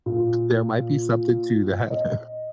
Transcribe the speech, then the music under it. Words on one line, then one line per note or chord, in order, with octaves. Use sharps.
there might be something to that.
A#2
D#5